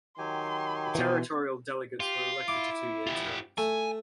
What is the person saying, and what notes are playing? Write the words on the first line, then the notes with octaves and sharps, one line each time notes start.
The territorial delegates were elected to two-year terms.
D#3 F#3 G4 G#5 C6
B2 E3
F4 G4
E4 D6
F4 G4
A3 G#5